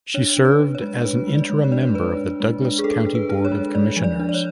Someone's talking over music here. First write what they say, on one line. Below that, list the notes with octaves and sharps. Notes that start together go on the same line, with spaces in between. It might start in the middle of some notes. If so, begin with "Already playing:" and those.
She served as an interim member of the Douglas County Board of Commissioners.
D4 C#5
D4
B4
D4
C#5
G#3
D4 B4
G#3
D5
G#3
C#5
D4 D5
C#5
G#3 B4
D4
G#3
D4
G#4
D4 A4
D4
B4
D4
C#5
G#3
G#3 D5
F3
D5
D4
D5
C#5